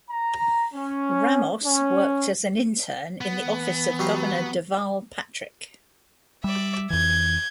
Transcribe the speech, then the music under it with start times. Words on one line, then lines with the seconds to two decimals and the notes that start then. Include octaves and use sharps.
Ramos worked as an intern in the office of Governor Deval Patrick.
0.10 A#5
0.74 C#4
1.65 C#4
3.21 B3
3.45 E3
3.99 F#3 G4 F5
6.44 G3 D5 E5
6.90 F2 E3 G6 G#6